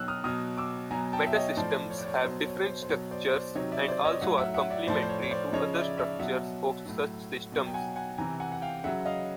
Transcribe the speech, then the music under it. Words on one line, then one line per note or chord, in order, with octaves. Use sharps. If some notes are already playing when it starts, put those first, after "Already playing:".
Meta-systems have different structures and also are complementary to other structures of such systems.
Already playing: B2 F#3 E6 F#6
D#6 F6
B2 F#3 D#6 F6
D6 E6
B2 F#3 G#5 A#5
G5 A5
E5
C#5 D#5
A2 F3 C5 D5
C#5
D5
C#5
B2 F#3 C5
C#5
C5
C5
B2 F#3 C#5
C5 D5
C5 D5
C3 D#3 F#3 C#5 D#5
D5 E5
C5 D5
C#5 D#5
A2 F#3 E5 F#5
E5 F#5
E5 F#5
D5 E5
A2 F3 C5 D5
C5
C#5
C#5
C5 D5
C#3 F3 C#5 D#5
D5 E5
D5 E5
B2 F#3 E5 F#5
A2 F#3
B2 F#3
G5
F#5 G#5
F#5 G#5
C3 E3 G#5 A#5
F#5 G#5
F#5
F5 G5
C#3 F#3 E5 F#5
D#5 F5